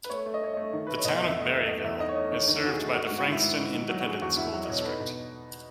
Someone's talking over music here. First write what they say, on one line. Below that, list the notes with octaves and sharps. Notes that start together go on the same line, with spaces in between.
The Town of Berryville is served by the Frankston Independent School District.
B4
A3 C#5
A3
D#5
A3 C#5
A3 D#5
D#3
A3 B4
C#5
B2 D#5
D#5
E2
E5
A3 D#5
E2 E5
A3 D#5
E2 E5
D#4 D#5
C#5
A3 D#5
D#3 C#5
D#3 C#5
D#3 F#4
G#4
A3
G#3 F#4
F#4
G#2
F#4
D#3 E4
G#2
D#3
D#3
F#3 F#4
F#4
F#3 G#4
E2 F#4
E2 E4
F#3 F#4
D#5
B2 C#5
A4
D#4 B4
B2